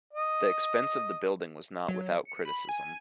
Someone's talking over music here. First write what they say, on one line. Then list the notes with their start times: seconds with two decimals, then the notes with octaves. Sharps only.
The expense of the building was not without criticism.
0.13 D#5
1.88 F#3
2.25 C#7
2.45 B5
2.69 G#5